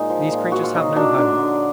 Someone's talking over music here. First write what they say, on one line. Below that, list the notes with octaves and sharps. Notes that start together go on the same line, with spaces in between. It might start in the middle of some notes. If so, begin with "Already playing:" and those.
These creatures have no home.
Already playing: A#2 G#3 D#4
F3
A#2
A#2 F#4
F4
F#3 D#4
F#3 D4
D3 D4
D3